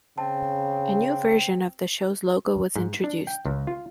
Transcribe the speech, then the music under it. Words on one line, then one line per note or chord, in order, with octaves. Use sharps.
A new version of the show's logo was introduced.
C#3 C4 A5
G#2
D4
G5
C#2
F4